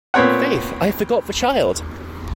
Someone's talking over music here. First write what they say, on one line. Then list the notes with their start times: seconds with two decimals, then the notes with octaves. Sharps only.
Faith, I forgot the child!
0.14 A#2 B3 C4 C#5 F#5